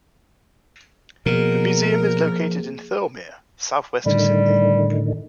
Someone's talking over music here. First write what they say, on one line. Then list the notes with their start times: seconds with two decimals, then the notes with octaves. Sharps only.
The museum is located in Thirlmere, south-west of Sydney.
1.26 B2 F3 A#3 G#4 A#4
4.06 A2 D3 D#3 G3